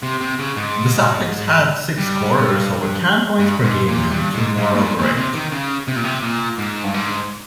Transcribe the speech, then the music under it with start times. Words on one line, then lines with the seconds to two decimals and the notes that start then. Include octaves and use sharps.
The Celtics had six scorers over ten-points per game and two more over eight.
0.03 C3
0.21 C3
0.39 C#3
0.57 G#2
1.98 G2
3.39 G2
3.63 G#2
3.87 A#2
4.11 G2
4.34 G#2
4.58 G2
4.75 A#2
4.81 G#2
5.00 A#2
5.17 C3
5.34 D#3
5.52 C#3
5.88 C3
5.96 A#2
6.04 C3
6.23 A#2
6.58 G#2
6.84 G2
6.94 G#2